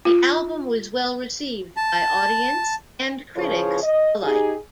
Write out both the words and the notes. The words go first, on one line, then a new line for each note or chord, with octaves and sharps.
The album was well received by audience and critics alike.
F4
A5
C#3 F3 E4 G#4 B4 C#5
D#5
D#4 G4 G#4